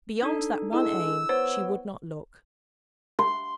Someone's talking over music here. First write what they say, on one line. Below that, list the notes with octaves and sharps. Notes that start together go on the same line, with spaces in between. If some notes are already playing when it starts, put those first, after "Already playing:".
Beyond that one aim she would not look.
D4 D#4 A4
G#3 E4 E6
B3 C5 C#5
C6